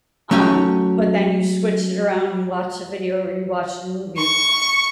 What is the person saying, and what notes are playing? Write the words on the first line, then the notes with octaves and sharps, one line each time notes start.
um, but then you switched it around and you watched a video or you watched a movie,
F#3 A3 C#4 F#4 G5
C#6